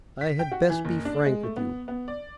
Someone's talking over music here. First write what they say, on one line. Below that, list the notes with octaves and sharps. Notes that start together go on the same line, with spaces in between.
I had best be frank with you.
B6
G5
F#4
E3
F#1
D4
G#3
A3
B3
B3
D5